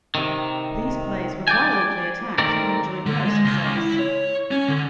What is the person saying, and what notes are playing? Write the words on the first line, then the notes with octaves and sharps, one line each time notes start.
These plays were violently attacked and enjoyed no success.
C3 D#3
D5 G5 G#5
D#3 A3 C4 A#4 D5
D3
G#3
C#2
E4
C#5
C#4
D3